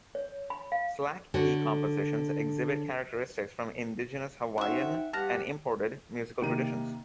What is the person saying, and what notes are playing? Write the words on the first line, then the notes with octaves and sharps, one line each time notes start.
Slack key compositions exhibit characteristics from indigenous Hawaiian and imported musical traditions.
C#5
B5
F5
D3 F#4 C#5
C#4 D#4 F#4 C5 E5 F#5 G5
G2 G4 F#5 A5 F6 A#6
C3 D#3 A#3 D#4 A#4 D#7